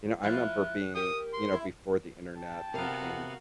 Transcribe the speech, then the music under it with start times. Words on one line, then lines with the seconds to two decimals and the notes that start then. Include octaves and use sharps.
you know, I remember being you know, before the Internet thinking,
0.23 F3 E4 F4 F#6
0.95 G4 A#4 D#6
1.34 C6
1.52 E4
2.38 G5 A5
2.74 C3 B3 F#4 A#4 F5